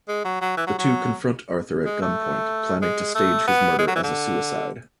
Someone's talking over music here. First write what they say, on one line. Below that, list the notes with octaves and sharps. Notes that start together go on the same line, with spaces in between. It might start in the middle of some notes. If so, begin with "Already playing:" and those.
The two confront Arthur at gunpoint, planning to stage his murder as a suicide.
G#3
F#3
F#3
E3
F#3
F#3
G#3
A3
G#3
A3
B3
G#3
F#3
E3
D3